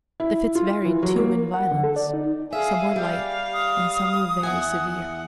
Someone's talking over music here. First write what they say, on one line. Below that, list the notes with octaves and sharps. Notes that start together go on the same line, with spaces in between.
The fits varied too, in violence: some were light and some were very severe.
E4
F4
E3
F#3
A#3
F#5
D3
A4
D5
D#4
G#4 E5 F5
G3 G4 F5
D#6
E2 E5 F#5 G#5